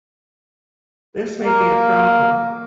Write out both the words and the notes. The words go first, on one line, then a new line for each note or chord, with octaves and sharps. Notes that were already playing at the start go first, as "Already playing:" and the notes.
This may be a problem.
A#3